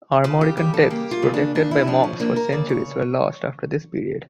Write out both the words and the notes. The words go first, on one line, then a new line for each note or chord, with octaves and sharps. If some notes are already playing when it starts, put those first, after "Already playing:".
Armorican texts protected by monks for centuries were lost after this period.
C#3 F4
G4
G3 G4
A4
A#3 G4
F4
C#3
D4
C#3 D4
E4
F3 D4
C#4
A#3 D4
A#4
C#3 D5
C#5